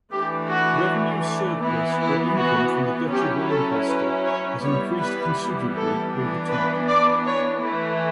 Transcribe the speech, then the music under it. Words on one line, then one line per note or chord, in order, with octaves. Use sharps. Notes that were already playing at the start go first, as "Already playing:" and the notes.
Revenue surplus or income from the Duchy of Lancaster has increased considerably over time.
E3 A3 D4 G4
F#4
E3 B3 E4
E4
F#4
F#3 C#4 E4 G4
A4
B4
C#5
E3 G3 B3 E4 C#5
B4
A4
E3 B3 D4
B4
D5
C#5
E3 A3 E4